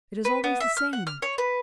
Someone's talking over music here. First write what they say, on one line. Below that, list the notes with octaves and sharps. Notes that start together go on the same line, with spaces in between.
It is always the same.
B4
B3
E5
F6
F#5
F6
C#5
B4